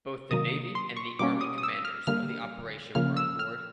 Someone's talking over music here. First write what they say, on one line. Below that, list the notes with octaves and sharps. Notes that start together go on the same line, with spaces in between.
Both the navy and the army commanders of the operation were on board.
C3 D#3 F#3 A#3 D#6
C6
C#6
B2 G3 A#3 C#4 D6
D#6
D#6
E6
F6
D3 G3 A#3 F6
C#3 F3 A#3 C#4 F6
E6
F6